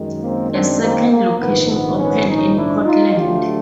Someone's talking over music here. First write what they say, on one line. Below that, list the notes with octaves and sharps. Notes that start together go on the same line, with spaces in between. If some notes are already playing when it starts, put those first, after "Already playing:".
A second location opened in Portland.
Already playing: F#2 D#3 G#3
A#3 C4
C4 D4
A#3 C4
A#3
A#1 G#2 D#3 B3
B3
B3 C#4
C#4 D#4
D4 E4
D#4 F4
D2 D3 F#3 A3 F4 G4